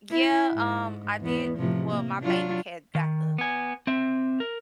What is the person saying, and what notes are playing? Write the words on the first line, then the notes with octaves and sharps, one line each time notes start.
Yeah, um, I did Well, my bank had got the,
E4
G#2
E2 B3
A2 C3 F3
A#3
F#3 D4 F4
D#3
B3 G#5
C4 E5
A#4